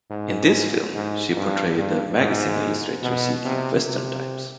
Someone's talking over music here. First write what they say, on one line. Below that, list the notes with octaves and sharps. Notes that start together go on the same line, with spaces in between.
In this film she portrayed a magazine illustrator seeking western types.
G#2
G#2
G2
G2
G#2
B2
C3
C3